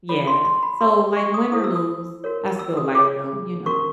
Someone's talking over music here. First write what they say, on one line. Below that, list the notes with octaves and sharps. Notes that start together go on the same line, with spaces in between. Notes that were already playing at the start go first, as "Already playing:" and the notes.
Yeah. So, like, win or lose, I still like them, you know?
F4 A4 C#5 B5
C6
C6
B5
F#4 A4 C#5 C6
C#6
D#6
E4 A4 C5 D#6
E6
D#6
F#4 A#4 C#5
E6
D#6
F4 G#4 C#5 D6
C#4 F#4 A#4 C#6